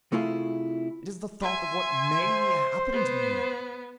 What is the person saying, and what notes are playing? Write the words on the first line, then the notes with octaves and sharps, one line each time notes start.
"It is the thought of what MAY happen to me."
C3 A3 E4 F4 G#4
E5 G#5 C6
C5
B3